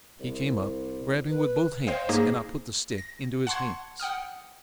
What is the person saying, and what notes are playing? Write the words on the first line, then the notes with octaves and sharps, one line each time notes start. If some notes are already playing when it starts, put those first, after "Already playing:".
He came up, grabbing with both hands, and I put the stick into his hands.
C2
B4
C5 C#5 D#5 F5 G5
G#2 A#3 D#4 G#4 A#6
A#6
F#5 A5 C6 C#6 G#6
F#5 G5 D#6 F6